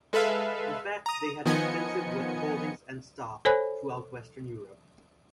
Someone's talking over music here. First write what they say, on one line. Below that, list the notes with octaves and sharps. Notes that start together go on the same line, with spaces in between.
In fact, they had extensive holdings and staff throughout Western Europe.
G#3 A4 B4 E5 F5
A#5 D#6
D#3 F3 B3 D#5 G#5 C#7
A4 C5 C#5 G#5 B5 F#6